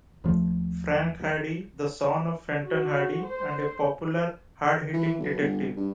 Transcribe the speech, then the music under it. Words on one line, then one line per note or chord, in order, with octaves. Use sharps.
Frank Hardy-The son of Fenton Hardy and a popular, hard-hitting detective.
D#1 F3 A3
F#4
C5
E3
B1
G1
G2